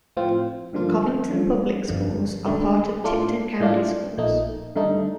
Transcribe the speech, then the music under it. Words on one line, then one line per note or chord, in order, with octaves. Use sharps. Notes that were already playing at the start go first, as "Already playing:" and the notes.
Covington Public Schools are part of Tipton County Schools.
A2 F3 C4 F4
G2 D3 F3 A#3 F4
G2 F3 A3
G1 F2 D3
D2 D3 A3
A2 A3 D4 F4
A2 A3 D4 F4
A#1 A#2 A3 D#4
G2 D3 A3 D#4